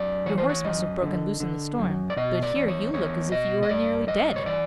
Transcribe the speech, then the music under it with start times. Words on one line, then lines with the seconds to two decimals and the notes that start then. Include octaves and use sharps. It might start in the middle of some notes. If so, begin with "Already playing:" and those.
Your horse must have broken loose in the storm. But here, you look as if you were nearly dead!
Already playing: F#2 D5
0.26 E3 C#5
0.38 C5
0.49 C#5
0.64 F#2 D#5
1.03 D3
1.40 D3
1.79 F#2
2.10 D5
2.17 B2 D#5
2.43 D5
2.55 E2
2.68 C#5
2.94 E2 C#5
3.32 B2 D#5
3.63 D#5
3.69 G2 D5
4.08 G2 D#5
4.36 C#5
4.46 E3 D5